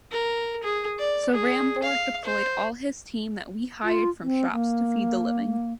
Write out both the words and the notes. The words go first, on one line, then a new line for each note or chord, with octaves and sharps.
So Rambourg deployed all his team that we hired from shops to feed the living.
A#4
G#4
D5
G#4
F5
C5
F4
C4
A#3